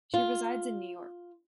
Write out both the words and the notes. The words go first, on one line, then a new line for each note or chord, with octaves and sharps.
She resides in New York.
F4